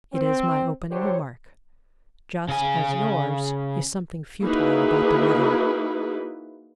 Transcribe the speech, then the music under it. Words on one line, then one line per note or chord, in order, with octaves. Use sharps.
It is my opening remark, just as yours is something futile about the weather.
C4
D3 E3 F#3 G4 C5 C#5
C#3 G#5
A#3 D#4 E4 F#4 G#4 B4